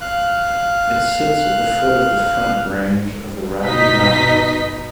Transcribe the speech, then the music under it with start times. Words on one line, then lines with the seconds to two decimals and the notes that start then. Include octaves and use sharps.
It sits at the foot of the Front Range of the Rocky Mountains.
0.01 F5 F#6
3.63 G1 B2 D#4 D#5 B6